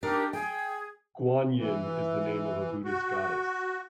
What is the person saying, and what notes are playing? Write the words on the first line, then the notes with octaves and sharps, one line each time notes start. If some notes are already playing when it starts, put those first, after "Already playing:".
Guanyin is the name of a Buddhist goddess.
D4 D#4 G4 A#4
G#4 G5
E3
F#4